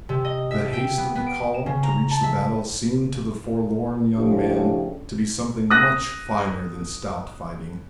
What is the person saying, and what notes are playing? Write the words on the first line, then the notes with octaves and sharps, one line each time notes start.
The haste of the column to reach the battle seemed to the forlorn young man to be something much finer than stout fighting.
C3
D#5
E5
G5
B3
B3
D7
E7
C#3
A#5
A5
E5
A2 C#3 F3 C#4 D4 G4
D#6 F#6 A#6